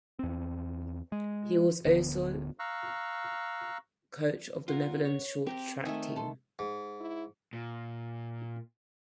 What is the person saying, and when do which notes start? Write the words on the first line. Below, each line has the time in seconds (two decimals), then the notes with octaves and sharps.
He was also coach of the Netherlands short track team.
0.19 E2 C4
1.12 G#3
1.85 D1 D3 B3
2.59 F5 A#5 C#6 E6 F#6
4.68 F4 A#4 F#5
5.05 C#5
5.47 C4 G4 A#4 G5
5.85 D#3 A3 E5 G#5 D#6
6.16 A4 C6
6.59 G#2
7.00 E4
7.53 A#2